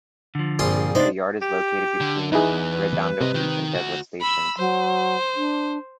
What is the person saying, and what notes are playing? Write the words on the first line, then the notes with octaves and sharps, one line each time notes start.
The Yard is located between Redondo Beach and Douglas stations.
D3 F3
A#1 G2 C4 F4 G#4 C6
C3 G#3 B3 D4 D#4 C5 D5
G4
D3
E2 D#4 E4 G#4 B4
G2 C3 D#5
D#3
D2 F#4
B5 E6
F#3 C5
D4